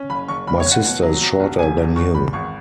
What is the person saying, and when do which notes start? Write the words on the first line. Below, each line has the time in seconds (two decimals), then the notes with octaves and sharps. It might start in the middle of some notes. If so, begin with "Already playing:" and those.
My sister is shorter than you.
Already playing: C#4
0.10 F#1 B5
0.28 F#1 C#6
0.47 F#1 B5
0.60 C#5
0.66 F#1
0.72 F#5
0.85 B2
1.03 F#3
1.21 F#3
1.40 B1
1.59 E1 G#5
1.77 E2
1.96 E2 C#6
2.14 E2 B5
2.33 G#1 C#6